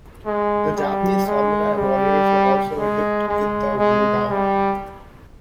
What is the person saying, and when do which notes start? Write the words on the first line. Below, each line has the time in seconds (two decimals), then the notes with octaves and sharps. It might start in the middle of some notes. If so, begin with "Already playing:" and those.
The Japanese samurai warriors were also adept with the wodao.
0.26 G#3
0.77 G3
1.26 G#3
1.77 G3
2.78 G#3
3.28 G#3
3.78 G#3
4.30 G3